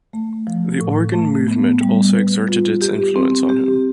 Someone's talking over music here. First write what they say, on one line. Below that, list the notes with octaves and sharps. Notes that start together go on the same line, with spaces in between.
The organ movement also exerted its influence on him.
A3
F3
A2
A3
B3
G3
B4
F4
G4
C4
G4